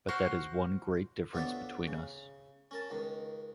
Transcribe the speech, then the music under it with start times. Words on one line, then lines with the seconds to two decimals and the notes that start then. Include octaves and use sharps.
But that is one great difference between us.
0.09 F#4 C5 F6 F#6
1.33 D2 B3 F4 C#5 D5 E5
1.88 C#3
2.71 C#4 A#4 A5
2.90 C#2 D#3